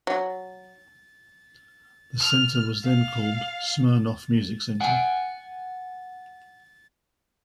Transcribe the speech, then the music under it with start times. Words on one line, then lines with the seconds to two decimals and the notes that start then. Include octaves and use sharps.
The center was then called Smirnoff Music Centre.
0.07 F#3
2.20 F6
2.82 F5
4.81 F#5 G#5